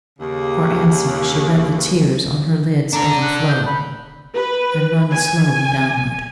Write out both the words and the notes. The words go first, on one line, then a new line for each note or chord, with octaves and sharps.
For answer, she let the tears on her lids overflow and run slowly downward.
D#2 C#3
D4 A4 A#5
F#6
G6
B5
B4
G#5